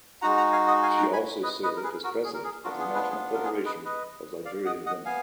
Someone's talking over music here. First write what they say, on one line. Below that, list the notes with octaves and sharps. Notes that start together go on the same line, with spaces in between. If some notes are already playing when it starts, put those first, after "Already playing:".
She also served as president of the National Federation of Liberian Women.
G#3 D#4 F#4 F#5 A#5
F#5 A#5
F5 G#5
D#5 F#5
F5 G#5
F#5 A#5
G#5 B5
B4 D#5
B4 D#5
A#4
G#4 B4
F#4 A#4
G#4
A#4
G#4
B3 D4 F4 F#4 A#4
G#4
G#4 B4
G#4
A#4
G#4
B4 D#5
B4 D#5
D5 F5
D#5 F#5
D#5 F#5
B3 F5 G#5